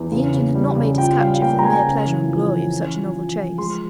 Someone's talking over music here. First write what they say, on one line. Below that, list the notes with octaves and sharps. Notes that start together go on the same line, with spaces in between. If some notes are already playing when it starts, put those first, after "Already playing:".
The Indian had not made his capture for the mere pleasure and glory of such a novel chase.
Already playing: E2
C#3
C#3
G3
C#3
A#2 G5
G3 F5
A#3 G5
A#5
A#3 G#5
C#3
E3
F2
E3
C#4
F3
F3
F3
G#3 C6